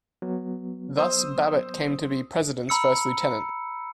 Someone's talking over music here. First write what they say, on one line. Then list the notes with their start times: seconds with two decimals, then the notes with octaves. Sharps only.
Thus, Babbitt came to be "President"s first lieutenant.
0.22 F#3 B3
0.98 C5 D#6 E6
2.69 A#5 B5 E6 C#7